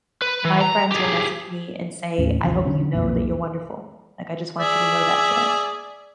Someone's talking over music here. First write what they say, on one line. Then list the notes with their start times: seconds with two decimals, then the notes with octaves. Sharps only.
my friends will message me and say, "I hope you know that you're wonderful. Like, I just want you to know that today."
0.22 B4
0.45 E3
0.61 A#5
0.92 G4 G#4
2.18 D#2 A2 C#4
2.44 A#1 E2 C#3 E3
2.65 D3 D#3 F#3 C#4
2.95 B1 F2 A#2
4.59 G#4 D5 E5